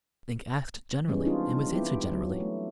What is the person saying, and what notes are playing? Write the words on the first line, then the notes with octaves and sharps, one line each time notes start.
Link asked generally, and was answered generally.
E3 G3 G#3 B3 C#4
C4 D4 D#4 F4
B3 E4 F4 G4
F#3
A3